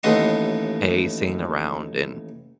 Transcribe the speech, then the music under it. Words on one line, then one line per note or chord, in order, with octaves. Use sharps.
hey, sitting around and
A1 D#2 A3 B3 D#5 C6